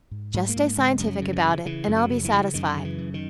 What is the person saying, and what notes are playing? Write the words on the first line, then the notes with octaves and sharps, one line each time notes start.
Just stay scientific about it and I'll be satisfied.
G#2
G#2
A#3
G#2
C#3 G#3
F#2
F#3
C#3
D#3
E3
C#3
C#3 E3
F#2
F#3
C#3
E3
C#3
F#2 D#3
C#3
E3
F#2
D#3